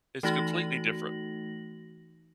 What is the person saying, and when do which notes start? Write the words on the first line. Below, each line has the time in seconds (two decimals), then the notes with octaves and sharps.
It's completely different,
0.23 E3 A3 D#4 F#4 A#6 F#7